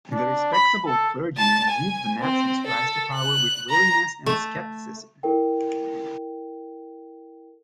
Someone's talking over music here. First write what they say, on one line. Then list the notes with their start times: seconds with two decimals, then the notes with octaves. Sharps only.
The respectable clergyman viewed the Nazis' rise to power with wariness and scepticism.
0.12 D4
0.52 B5
0.86 A4
1.37 A5
1.69 G#5
2.20 C4
2.67 A4
3.14 F#6
3.70 A#5
4.26 A3
5.23 E4 A4 A#4 G5